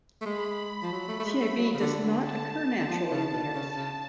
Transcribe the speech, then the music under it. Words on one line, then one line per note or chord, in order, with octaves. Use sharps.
TiB does not occur naturally in the earth.
A3
G#3 B5
F3
F#3
A3
A3
G#3
A3
F#3
C#3
D3
D3
A5
D3
F3
C#3
B2
D3
C#3
C#3